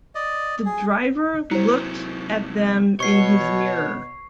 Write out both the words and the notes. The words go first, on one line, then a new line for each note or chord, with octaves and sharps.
The driver looked at them in his mirror.
D5 D#5
G#4
C3 F#3 E4 C5
B2 C#5 C#6 C7